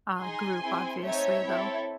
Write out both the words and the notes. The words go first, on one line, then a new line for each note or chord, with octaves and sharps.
uh, group, obviously, though.
D#4 G#4 G#5 C6
C4 E4 G#4
A3 C4 D#4 C#5 E5
C4 E4 A4